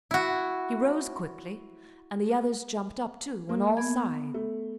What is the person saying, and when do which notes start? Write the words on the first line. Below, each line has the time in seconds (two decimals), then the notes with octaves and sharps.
He rose quickly, and the others jumped up, too, on all sides.
0.11 E4 F#4
3.49 A#3
3.77 B3 G#6
4.34 A3